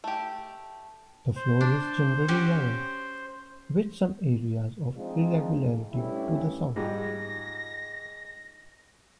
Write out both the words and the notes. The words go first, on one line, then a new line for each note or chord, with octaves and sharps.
The floor is generally level, with some areas of irregularity to the south.
A3 G4
C5
D4
C#4 F#4 G4
F3 G#3 C4 D4 D#4 F4
G2 A3 C#4 E4 G4
G#2 G3 F4 A#6